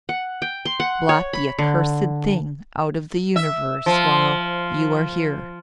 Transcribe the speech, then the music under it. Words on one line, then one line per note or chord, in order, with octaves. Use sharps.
Blot the accursed thing out of the Universe while--you are here.
F#5
G5
C6
F#5
C#5
B5
D3
E5
F3